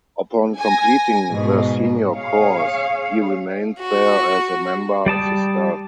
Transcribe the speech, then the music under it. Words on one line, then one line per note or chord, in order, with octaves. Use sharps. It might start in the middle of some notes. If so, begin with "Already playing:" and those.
Upon completing the senior course, he remained there as a member of the staff.
G#5 A#6
G#2 B2
G#4 C#5 F5
F#4
G3 D5 A5 D#6